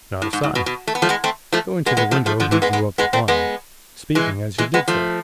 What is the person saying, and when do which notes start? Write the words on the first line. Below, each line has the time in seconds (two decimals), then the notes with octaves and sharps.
'Not a sign.' Going to the window he drew up the blind,--speaking as he did so.
0.22 A2
0.33 G#2
0.43 G#2
0.55 B2
0.66 B2
0.87 A3
0.95 B3
1.02 F3 A3
1.09 G#3 B3
1.24 A3 C4
1.52 F3 A3
1.86 G#3 B3
1.97 G#3 B3
2.11 F3 A3
2.26 F3 A3
2.40 D3 F3
2.51 C3 E3
2.62 G#3 B3
2.73 G#3 B3
2.98 G#3 B3
3.13 A3 C4
3.28 G#3 B3
4.15 E3 G#3
4.58 E3 G#3
4.74 G#3 B3
4.88 F3 A3